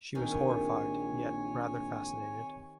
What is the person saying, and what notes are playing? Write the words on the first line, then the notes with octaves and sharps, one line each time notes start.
She was horrified, yet rather fascinated.
A#1 D#3 C4 D#4 G4 C#5 G#5